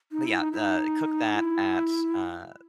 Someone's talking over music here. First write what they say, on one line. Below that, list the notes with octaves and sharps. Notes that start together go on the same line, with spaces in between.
but, yeah, uh, cook that at, uh,
D#4
E4
D#4
E4
D#4
E4